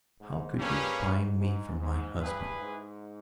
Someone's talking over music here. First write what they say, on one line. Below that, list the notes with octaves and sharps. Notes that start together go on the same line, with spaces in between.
How could you buy me from my husband?
G#2
G2 G3 A#3 C#4 G#4 B4
G#2
G#2
G#2
G2 E4 G#4 B4
G#2